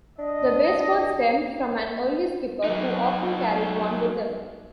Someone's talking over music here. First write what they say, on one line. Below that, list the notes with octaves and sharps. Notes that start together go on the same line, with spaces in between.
The baseball stemmed from an early skipper who often carried one with him.
D4 D#5
F#3 D#4